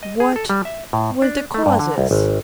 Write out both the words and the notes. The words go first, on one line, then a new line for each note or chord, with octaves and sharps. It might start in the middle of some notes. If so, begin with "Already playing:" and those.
"What... were the causes?"
D#5
G#4
A4
G3
E5
A2
D4
A3
G2
D3
C2
G#1